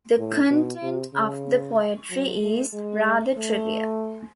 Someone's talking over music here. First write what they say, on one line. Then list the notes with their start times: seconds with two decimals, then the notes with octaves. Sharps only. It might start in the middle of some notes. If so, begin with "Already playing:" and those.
The content of the poetry is rather trivial.
0.19 A2
0.50 B2
0.82 C3
1.13 C#3
2.10 F#3
2.42 A3
2.73 G#3
3.37 A3